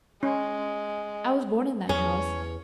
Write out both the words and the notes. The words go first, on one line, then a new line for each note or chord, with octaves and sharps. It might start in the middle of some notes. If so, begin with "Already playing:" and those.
I was born in that house.
G#3 C#4
E2 C#4 G#4 C#5